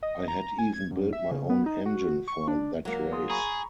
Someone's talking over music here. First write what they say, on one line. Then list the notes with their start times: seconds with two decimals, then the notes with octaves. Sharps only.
I had even built my own engine for that race.
0.03 D#5
0.28 A#5
0.58 G#5
0.73 G#6
0.91 F#2
1.13 E5
1.31 C#3
1.50 B3
1.66 D#4
1.86 F#4
2.28 C#6
2.48 D4
2.85 F#3 A#3
3.12 G#4 C6 D#6
3.30 G#4 A#5 B5 C#6